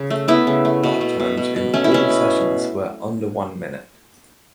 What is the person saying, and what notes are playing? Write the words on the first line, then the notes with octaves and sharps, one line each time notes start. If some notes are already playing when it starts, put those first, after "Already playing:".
Lap times in all sessions were under one minute.
Already playing: C#3
A3
A3 B3 E4
C#3
A3
B2
A3
B2
B2
B2
A3 C#4
E4
B2 C#4
B3